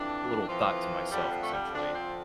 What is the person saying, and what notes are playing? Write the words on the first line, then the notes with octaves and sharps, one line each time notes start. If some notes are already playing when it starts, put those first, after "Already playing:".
a little thought to myself, essentially.
Already playing: F2 E3 D4
F2 E3 F3
F2 D3 F3 G3
F3
A3
G3
F2 D3 F3 D4
C4